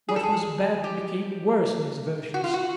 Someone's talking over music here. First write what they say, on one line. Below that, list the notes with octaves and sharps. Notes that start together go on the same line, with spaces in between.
What was bad became worse in his versions.
G#4
A4
G#4
G4
F#4
F4
F#4